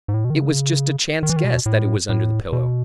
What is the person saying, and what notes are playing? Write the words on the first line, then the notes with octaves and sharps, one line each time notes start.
It was just a chance guess that it was under the pillow.
G#2
A2
B2
D#3
C#3
D#3
E3
D#3
B2
A2
A2
B2